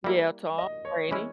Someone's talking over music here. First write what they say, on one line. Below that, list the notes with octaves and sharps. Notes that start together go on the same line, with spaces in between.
Yeah, Tom Brady,
G3 A#3 E4
D#5
C#5
E3 G#3 C#4 E4